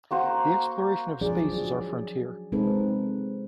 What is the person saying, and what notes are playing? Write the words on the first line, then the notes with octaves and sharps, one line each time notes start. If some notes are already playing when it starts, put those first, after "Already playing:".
The exploration of space is our frontier.
A#3 F#4 C5 A#5
F3 F#3 D4 G#4 D5
F#3 G#4
C3 G#3 C4 D#4 A4 B4